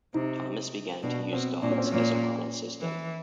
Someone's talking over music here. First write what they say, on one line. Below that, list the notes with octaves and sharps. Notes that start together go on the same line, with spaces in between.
Thomas began to use dogs as a model system.
C3 D#4
B2 D4
B2 C4
A#2 D4
C#4
C4
C#4
A#2
E3